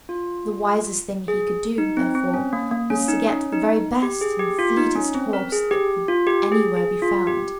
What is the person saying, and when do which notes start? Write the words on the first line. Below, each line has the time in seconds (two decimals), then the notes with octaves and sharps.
The wisest thing he could do, therefore, was to get the very best and fleetest horse that could anywhere be found.
0.09 F4
1.28 G#4
1.78 D#4
1.97 C4
2.15 C4
2.34 C#4
2.53 A#3
2.71 A#3
2.90 C#4
3.08 D#4
3.27 C#4
3.52 D#4
4.03 G4
4.21 G#4
4.39 G4
4.59 F4
4.77 D#4
4.95 C#4
5.14 C4
5.33 A#4
5.52 G#4
5.71 G4
6.08 F4
6.27 G4
6.52 G#4
6.76 G#4
7.02 F4
7.27 G4